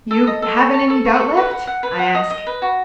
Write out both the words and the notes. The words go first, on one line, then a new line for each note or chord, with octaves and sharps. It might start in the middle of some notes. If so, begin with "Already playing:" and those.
"You haven't any doubt left?" I ask.
A4
D#5
A4
C#6
A5
A4
C#6
A4
B4
F#5
F#5
B4
F#5
D#5
D#5
B4
F#4